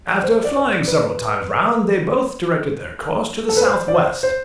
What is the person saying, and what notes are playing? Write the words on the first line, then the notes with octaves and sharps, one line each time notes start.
After flying several times round, they both directed their course to the south-west.
C5
D5
C5
D5
B4
A4
B4
C5
D5
C5
C5